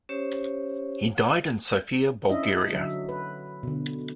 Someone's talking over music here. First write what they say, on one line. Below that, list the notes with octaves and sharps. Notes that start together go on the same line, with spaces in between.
He died in Sofia, Bulgaria.
C#4 G4 C5 C#5
C#4 D4 E4 D#5 E5
D3 F#3 E5
B4
B2 D3